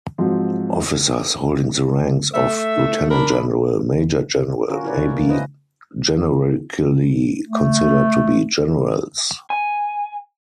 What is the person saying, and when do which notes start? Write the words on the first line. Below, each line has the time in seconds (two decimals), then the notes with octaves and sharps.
Officers holding the ranks of lieutenant-general, major-general may be generically considered to be generals.
0.18 G#2 F3 F#3 C4
2.34 A3 E5
3.10 D4 A#4 B5
4.69 D3 C#4 F4 F#4 A#4
4.84 E4 F#4 A#4 B4 C#5 D5
5.09 C3 A3 A#3
5.28 B3 C#4 E4 B4 C5 D#5
7.47 A3
9.50 G#5